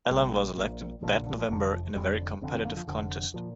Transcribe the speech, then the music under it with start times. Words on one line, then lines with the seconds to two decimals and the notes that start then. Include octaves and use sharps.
Alan was elected that November in a very competitive contest.
0.10 A#1 A#2 G3
0.57 A#1 A#2
1.03 A#1 A#2 F3
1.14 D3
1.26 D3
1.38 F3
1.49 F1 F2 D3 A#3
1.72 F3
1.95 F1 F2 D3 G3
2.41 F1 F2 D3 C4
2.53 C4
2.65 A#3
2.77 F3
2.88 F1 F2 D3
3.34 A#2 F3